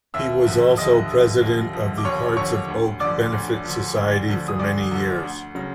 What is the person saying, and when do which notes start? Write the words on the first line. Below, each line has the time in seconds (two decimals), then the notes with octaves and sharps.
He was also president of the Hearts of Oak Benefit Society for many years.
0.14 D#2 E5 E6
0.46 D3 F3
0.77 D#2 D#5 D#6
1.10 D3 F3
1.42 D#2
1.73 D3 F3
1.98 D6
2.05 D#2 C#5 C#6
2.37 D3 F3 C#5 C#6
2.69 D2
3.00 D3 F3 D5 D6
3.32 D2
3.64 D3 F3
3.96 D2
4.28 D3 F3
4.48 D#6
4.59 D2 D5 D6
4.91 D3 F3
5.23 D2
5.55 C#3 F#3